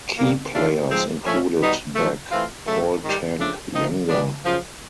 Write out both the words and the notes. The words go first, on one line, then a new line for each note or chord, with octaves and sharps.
Key players included back Paul "Tank" Younger.
G2 D3 G3 A#3
C#3 E3 A3 D4 F4
G#2 F3 G#3 C4
A#2 F3 A3 C#4
B2 G3 B3 D#4
G#2 F3 A3
E3 A3 C4 F4
C#3 F#3 A3
G#2 D#3 G3
C#3 F3 A3 D4
F3 A#3 D#4
E3 G3 B3 D4
F#2 C#3 F3